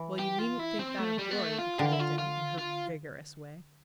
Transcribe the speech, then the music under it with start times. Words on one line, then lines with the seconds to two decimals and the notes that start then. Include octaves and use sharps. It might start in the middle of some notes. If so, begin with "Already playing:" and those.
"Well, you needn't think that of Glory," declared Jenny in her vigorous way.
Already playing: E3
0.19 G4
0.39 F4
0.59 E4
0.79 C4
0.99 A3
1.19 G3
1.31 B3
1.39 A3
1.59 F4
1.78 D3 G4
1.85 F4
1.92 E4
2.00 F4
2.19 F4
2.59 F4